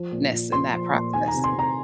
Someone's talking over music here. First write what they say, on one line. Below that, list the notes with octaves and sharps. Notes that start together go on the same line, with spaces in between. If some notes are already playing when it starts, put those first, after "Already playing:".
ness and that process.
Already playing: F3
A#2
A#2
F3 C6
F3
A#2
D#3 G#5
A#5
C3
C6
C3
A#5